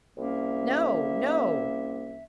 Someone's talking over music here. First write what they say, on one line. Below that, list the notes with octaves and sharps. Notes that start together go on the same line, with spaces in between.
"No, no!"
C2 A#3 C#4 E5